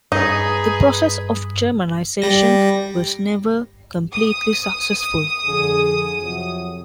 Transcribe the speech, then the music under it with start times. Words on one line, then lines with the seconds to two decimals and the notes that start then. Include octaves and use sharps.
The process of Germanisation was never completely successful.
0.12 G2 D#4 G#4 B4
2.22 G3 A#6
4.13 D#6
5.45 F2 D3 G#4
6.20 F2 C3 F#3